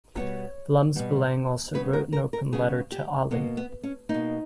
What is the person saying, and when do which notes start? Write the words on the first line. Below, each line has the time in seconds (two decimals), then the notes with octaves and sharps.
Vlaams Belang also wrote an open letter to Ali.
0.17 B2 G3 B3 C#5
0.95 B2 G3 B3
1.74 C#3 G3 B3 B4
1.93 A#4
2.13 A#4
2.33 A#4
2.52 C#3 G3 B3 G#4
2.92 G4
3.31 B2 A#3 B3
3.57 B3
3.83 C#4
4.09 B2 A#3 D#4